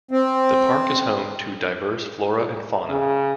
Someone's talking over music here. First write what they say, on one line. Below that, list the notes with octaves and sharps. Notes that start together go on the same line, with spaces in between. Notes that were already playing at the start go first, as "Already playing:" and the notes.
The park is home to diverse flora and fauna.
C4
C#3